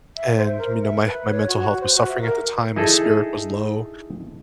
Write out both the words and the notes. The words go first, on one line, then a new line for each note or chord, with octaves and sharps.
And, me know, my h my mental health was suffering at the time, my spirit was low,
E5
C5
A#4
E5
B4
C#5
F#4
F#4
C5
F#4
E5
A#4
D#4 E4 G#4 A4